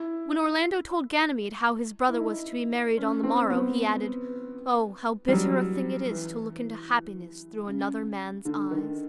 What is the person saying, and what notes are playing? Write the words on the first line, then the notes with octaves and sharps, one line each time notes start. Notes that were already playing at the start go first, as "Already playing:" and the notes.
When Orlando told Ganymede how his brother was to be married on the morrow, he added: "Oh, how bitter a thing it is to look into happiness through another man's eyes."
Already playing: E4
E4
D#4
C#4
C4
B3
G3
F#3
E3
C#3
D3
D#3